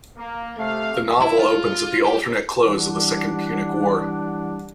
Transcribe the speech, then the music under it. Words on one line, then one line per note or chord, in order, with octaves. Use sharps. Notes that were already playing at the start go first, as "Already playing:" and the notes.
The novel opens at the alternate close of the Second Punic War.
A#3
C3 A3 F5
E4
F4
G4
E3 G3 D4 F#5